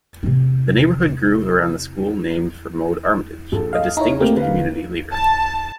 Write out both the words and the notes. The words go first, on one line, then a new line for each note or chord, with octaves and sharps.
The neighborhood grew around the school named for Maude Armatage, a distinguished community leader.
C3 C4
A#1 A4
D#5 F5
D#4 E4 C#5 A#5
A3 A#3 C4 G4 A#4
D3 B4 F5
A5